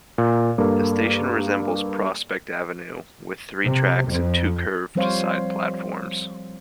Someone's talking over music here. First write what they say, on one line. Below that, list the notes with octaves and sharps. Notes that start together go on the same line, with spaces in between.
The station resembles Prospect Avenue, with three tracks and two curved side platforms.
A#2
G2 A#3 A4
C3
F2
F3 G3 C4 C5 C#5 F5